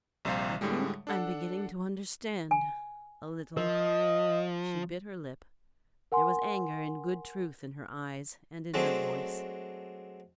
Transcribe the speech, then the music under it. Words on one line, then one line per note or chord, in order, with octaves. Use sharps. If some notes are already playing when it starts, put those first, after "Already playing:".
"I think I'm beginning to understand--a little." She bit her lip; there was anger in good truth in her eyes and in her voice.
A#1 C3 G3 C5 F5
A2 D3 G3 G#3
D4 A4 F#5
G#5
F3 A#4 D#5
A#4 F#5 G#5 C6
F#3 G#3 A3 C4 D4